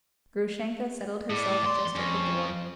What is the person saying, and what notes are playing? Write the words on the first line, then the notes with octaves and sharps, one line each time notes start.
Grushenka settled herself just at the door.
A2 D5
E2 C6
F2 C#4